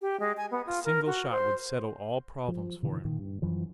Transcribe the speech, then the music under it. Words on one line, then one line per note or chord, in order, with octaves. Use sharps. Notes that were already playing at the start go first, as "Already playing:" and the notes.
A single shot would settle all problems for him....
G4
G#3
G#5
B3
F4
A#4
F#4
C5
F3
B2 D3 E3
A#2 D#3
G2
F#2 E3 F3